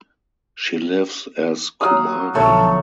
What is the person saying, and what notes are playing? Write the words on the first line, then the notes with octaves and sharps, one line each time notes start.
She lives as kumari.
F#3 F5 D#6
B1 D3 F3 A3 C#5 A5